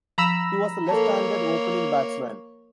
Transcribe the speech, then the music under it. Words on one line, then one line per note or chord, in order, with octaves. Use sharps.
He was a left-handed opening batsman.
F3 A#5 B5 E6
A#3 A4 C#5 A5